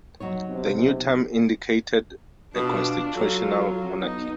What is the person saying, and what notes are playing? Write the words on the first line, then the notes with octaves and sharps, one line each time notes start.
The new term indicated a constitutional monarchy.
F#3 D#4 C#5
B1 C3
B2 D4 F4
F#3 F4 A4
B3 D#4